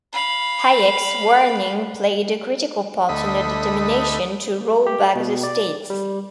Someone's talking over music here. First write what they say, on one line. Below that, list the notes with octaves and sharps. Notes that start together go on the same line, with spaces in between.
Hayek's warning played a critical part in her determination to 'roll back the state.
F5 B5
D2 A3 D#5 B5
G4
B2
D5
G3